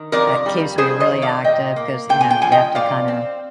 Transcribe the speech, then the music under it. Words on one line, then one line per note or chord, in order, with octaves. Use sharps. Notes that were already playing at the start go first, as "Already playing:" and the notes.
it keeps me really active, 'cause, you know, you have to kinda,
Already playing: D#3
F2 A#4 D5
G3
F2 G#4 C5
C5 D#5
D#3
D5 F5
A#2 D#5 G5
A#3
A#2 G5
G#5
G5
F3 G#5
D#5 G5
A#2 D5 F5
C4